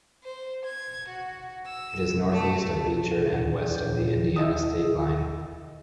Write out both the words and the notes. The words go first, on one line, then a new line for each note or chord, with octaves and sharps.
It is northeast of Beecher and west of the Indiana state line.
C5
G#6
F#4
E6
A3
D2 A#2
A#2 F3 D4 C#5 G6 A6
E4 D#5 D#6